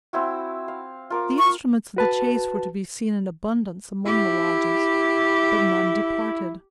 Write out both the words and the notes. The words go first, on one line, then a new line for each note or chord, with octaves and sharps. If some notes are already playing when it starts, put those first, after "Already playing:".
The instruments of the chase were to be seen in abundance among the lodges; but none departed.
C4 E4 F#4
F5
F4 A#4 D6
C#6
F#4 B4 A5
E4 G4